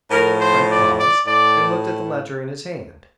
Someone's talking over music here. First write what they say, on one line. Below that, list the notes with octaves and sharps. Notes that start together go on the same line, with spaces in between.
Frank paused, and looked at the letter in his hand.
A2 F3 A#4
C5
D5
D5
A2 D5